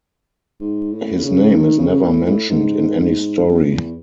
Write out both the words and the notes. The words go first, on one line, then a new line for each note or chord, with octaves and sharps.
His name is never mentioned in any story.
G#2
A2
C#3
D#3
C#3
A2
A2
G#2
F#2
E2